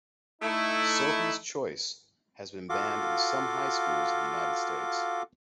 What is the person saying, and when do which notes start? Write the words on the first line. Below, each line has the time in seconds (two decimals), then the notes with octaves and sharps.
"Sophie's Choice" has been banned in some high schools in the United States.
0.42 A3 D#4 E4
2.69 F4 F#4 A4 F5 D6